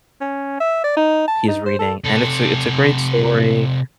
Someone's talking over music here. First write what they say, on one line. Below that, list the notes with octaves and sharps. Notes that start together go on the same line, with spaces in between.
he's reading, and it's a it's a great story,
C#4
E5
D5
D#4
A5
D#4
C5
A4
C3 A4